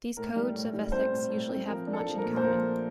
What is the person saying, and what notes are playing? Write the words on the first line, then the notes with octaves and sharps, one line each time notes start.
These codes of ethics usually have much in common.
A2 A#4
G3
A2
G3
C4 C5
A2
A2
C4
F3 A#4
D4
A4
F3
A#4
A#2
C5
F3 A#4
A3